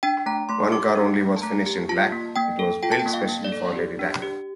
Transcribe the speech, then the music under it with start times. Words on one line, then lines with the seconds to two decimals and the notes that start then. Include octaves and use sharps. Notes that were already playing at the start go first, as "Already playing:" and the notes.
One car only was finished in black; it was built especially for Lady Diana.
0.03 D4 G5
0.26 A3 A#5
0.49 A3 C6
0.72 G4 D6
0.96 D4
1.20 A3
1.36 A5
1.42 A3 A#5
1.66 G4
1.89 F4 A5
2.12 A#3
2.36 A#3 G5
2.59 A4
2.83 F4 G5
2.92 A5
2.99 G5
3.06 A#3
3.14 F5
3.29 A#3
3.44 D5
3.52 A4
3.76 G4
3.99 D4
4.22 G4